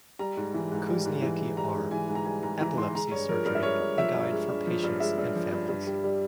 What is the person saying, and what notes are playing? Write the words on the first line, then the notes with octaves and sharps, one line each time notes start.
Kuzniecky R. "Epilepsy Surgery: A guide for Patients and Families".
G3 A#5
G#2
E3
G#2
G3
G#2
E3
G#2
G3 A#5
G#2
E3 G#5
G#2
A#5
G3 G#5
G#2 A#5
E3 A#5
G#2 C6
G#3 A#5
G2 C#5
F3 A#4
G2 A#4
E5
G#3 C#5
G2
F3 E5
G2
G#3
G2
F3
G2
G#3 E5
G2
F3
G2
G2
G3
G3